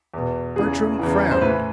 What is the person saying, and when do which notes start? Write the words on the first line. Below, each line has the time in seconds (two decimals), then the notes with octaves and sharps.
Bertram frowned.
0.14 E2 B2
0.56 E2 C#3 E3 G#4
0.99 E2 C#3 E3
1.31 C5
1.41 A2 B4
1.46 E3